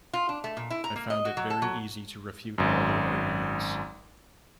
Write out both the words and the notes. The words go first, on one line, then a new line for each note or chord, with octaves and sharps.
I found it very easy to refute all their arguments.
F4
D4
A3
A#2
E4
A#5
A#3
D#5
F#4
F#3
A4
F#3
G#1 F#2